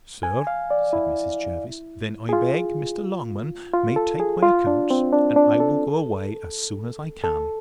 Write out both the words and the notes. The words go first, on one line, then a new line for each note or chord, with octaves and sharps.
Sir, said Mrs. Jervis, then I beg Mr. Longman may take my accounts, and I will go away as soon as I can.
G#5
F5
D5
E4
G#4
F4
F4
A4
G#4
F4
D4
C4
D4
D4
A4
A4